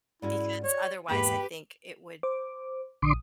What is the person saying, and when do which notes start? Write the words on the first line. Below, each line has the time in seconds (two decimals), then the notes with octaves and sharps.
because, otherwise, I think it would
0.22 G#2 C#4 E4 F#4 D5
0.64 F#4 C#5
1.08 E2 G#2 A#3 G4 B4 G5 B5
2.23 C5 D6
3.02 A#1 D3 C6 D6 D#6